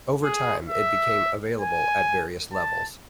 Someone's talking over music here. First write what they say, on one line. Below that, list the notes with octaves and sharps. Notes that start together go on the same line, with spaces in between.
Over time it became available at various levels.
G#4
E5
G#5
A5